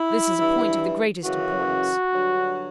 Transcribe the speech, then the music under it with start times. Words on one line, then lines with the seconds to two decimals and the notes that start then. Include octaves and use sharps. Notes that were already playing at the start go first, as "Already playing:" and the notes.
This is a point of the greatest importance.
Already playing: E4
0.38 G2 E3
1.24 F#2 C#3 E3 F#4
2.10 G2 D3 F#3